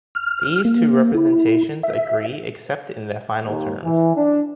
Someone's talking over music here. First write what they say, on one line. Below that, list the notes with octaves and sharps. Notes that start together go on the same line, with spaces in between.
These two representations agree except in their final terms.
F6
A#3
E4
E5
D#2
E3
D4